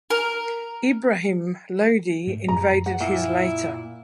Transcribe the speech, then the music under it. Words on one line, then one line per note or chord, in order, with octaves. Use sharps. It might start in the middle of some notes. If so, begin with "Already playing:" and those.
Ibrahim Lodhi invaded his later.
A#4
G#2 A3
F#2 A2 C#4 A#5
F#2
F#5
A#2 E4